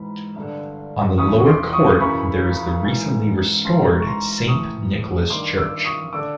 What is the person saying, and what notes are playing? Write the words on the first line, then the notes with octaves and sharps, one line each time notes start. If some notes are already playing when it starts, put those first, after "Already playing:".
On the lower court there is the recently restored Saint Nicholas church.
Already playing: G#2 E3 B5
G2 D3
E2 C#3 E3 C#6 D#6
C#6
C6 D6
C#6 D#6
F#2 C#3 E3 B5 C#6
G#2 E3
G#2 E3 A#5 C6
C#6
A#5 C6
A2 E3 C#6 D#6
G2 D#3 C6 D6
D6 E6
C#6 D#6
D3 D6 E6